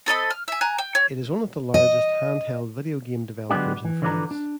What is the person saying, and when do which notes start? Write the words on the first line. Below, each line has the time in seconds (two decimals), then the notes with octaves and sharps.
It is one of the largest handheld video game developers in France.
0.06 C4 A4 D#5 B5
0.31 F6
0.48 E5 G#5
0.61 G#5 A#5 F#6
0.78 G5
0.95 C#5
1.74 D#5
3.50 D3 F#3 G#3 B3 D4 G4
3.85 E3
4.02 D3 E3 F3 D4 B4 A#5
4.31 D4